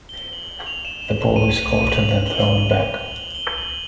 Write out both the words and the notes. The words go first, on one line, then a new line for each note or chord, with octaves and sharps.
The ball is caught and then thrown back.
G7
F#7
F#7
F7
E7
E7
E7
D#7
D#7
D#7
F#7
F7
F#7
G7
F#7
F#7
G7
F#7